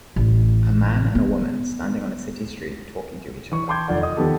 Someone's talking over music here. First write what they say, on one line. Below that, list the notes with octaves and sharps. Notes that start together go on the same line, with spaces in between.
A man and a woman standing on a city street talking to each other.
A1
B3
E3 C#6
G5 A5 C6 D6 G6 G#6
F1 D#2 F4 D5 F#5
D#5 D#6
D#2 F3 B3 G4 A4